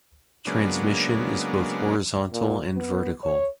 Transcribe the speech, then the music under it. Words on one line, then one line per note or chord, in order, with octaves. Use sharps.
Transmission is both horizontal and vertical.
C#3 F#3 G#3 A#3 B3 D4
A#2
B3
C#5